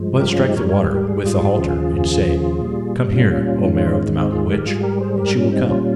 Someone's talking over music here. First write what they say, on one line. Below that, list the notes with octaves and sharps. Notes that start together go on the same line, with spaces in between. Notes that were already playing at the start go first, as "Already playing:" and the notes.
But strike the water with the halter and say, "Come here, O mare of the mountain witch!" and she will come.'
Already playing: G2 F3 G#3
G4 A#4
C#4 F4
D#4 G4
G#2 G3 A#4 C#5
A#4 C#5
G4 A#4
G#4
G4
F4 G#4
D#2 C#3 F3
A#2 G3
C#4 F4
G#2 D#3 G#3
C4 D#4
F4 G#4
G4 A#4
G#2 G3 F4 G#4
G4 A#4
G#4 C5
G4 A#4
C#4
C4 D#4
A#2 G3 C#4 F4